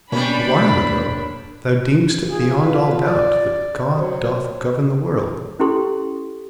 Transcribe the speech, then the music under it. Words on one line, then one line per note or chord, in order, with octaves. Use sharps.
'Awhile ago thou deemedst it beyond all doubt that God doth govern the world.'
B2 G3 A#3 C#4 D4 B5
F4 G#4
B4
D5
F#3 C5
C#4 E4 G4 A4 C6